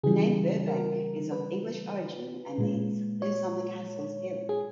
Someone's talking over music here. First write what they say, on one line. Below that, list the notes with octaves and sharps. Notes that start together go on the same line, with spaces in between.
The name Burbank is of English origin and means "lives on the castle's hill".
C#3 E3 G3 G#4
A#4
B4
A#2 G#3
C#5
G#4